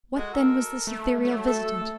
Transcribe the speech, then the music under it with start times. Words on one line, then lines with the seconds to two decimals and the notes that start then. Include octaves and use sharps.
What then was this ethereal visitant?
0.16 G#3 A3 F#4
0.34 A4 A#4
0.87 A3
1.25 F#3 A3
1.47 A4